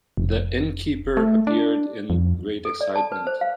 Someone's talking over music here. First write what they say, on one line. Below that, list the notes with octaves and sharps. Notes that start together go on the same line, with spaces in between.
The innkeeper appeared in great excitement.
F1
A3
D4
F2
A4
D5
A5
B4
C5
F5